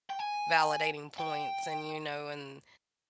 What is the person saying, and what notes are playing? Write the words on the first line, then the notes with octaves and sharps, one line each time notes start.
validating points, and, you know, and
G5
G#5
G5